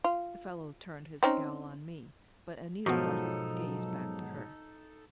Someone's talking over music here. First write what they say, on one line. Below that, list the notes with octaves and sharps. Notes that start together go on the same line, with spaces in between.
The fellow turned his scowl on me, but Anita brought his gaze back to her.
F4
C4 C#4 D#4
G#2 B2 F3 F#3 B3 D#4 F#4 A4